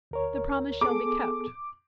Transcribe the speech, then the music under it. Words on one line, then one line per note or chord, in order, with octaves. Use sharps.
'The promise shall be kept.
D2 A#4 C#5
B3 G#4 A4 D6